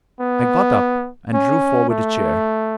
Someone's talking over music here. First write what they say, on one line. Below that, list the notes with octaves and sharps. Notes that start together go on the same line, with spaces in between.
I got up and drew forward a chair.
B3
C#4
A3